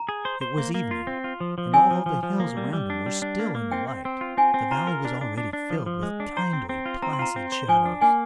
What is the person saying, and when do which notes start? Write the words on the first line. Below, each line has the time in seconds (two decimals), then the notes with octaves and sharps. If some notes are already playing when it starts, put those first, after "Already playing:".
It was evening, and although the hills around him were still in the light the valley was already filled with kindly, placid shadows.
Already playing: A#5
0.09 G#4
0.25 C5
0.41 C5
0.58 A#3
0.75 A#3
0.91 F4
1.07 C4
1.24 F4
1.40 F3
1.58 F3
1.73 C4 G#5
1.91 F3
2.06 F3
2.23 F3
2.40 A#3
2.57 G3
2.73 G3
2.90 D4
3.06 G3
3.22 D4
3.39 A#3
3.55 A#3
3.71 C4 G5
3.88 C4
4.05 C4
4.21 F4
4.37 C4 G#5
4.54 C4
4.71 F4 A#5
4.87 A#4
5.05 D4
5.21 D4
5.38 D4
5.53 D4
5.70 F3
5.86 F3
6.03 G#3
6.20 D4
6.37 C5 A#5
6.53 C4
6.69 C4
6.86 F4
7.02 C4 A#5
7.13 C6
7.19 F4 A#5
7.36 C4
7.52 C5
7.69 F3 G#5
7.85 D4
8.01 A#3 G#5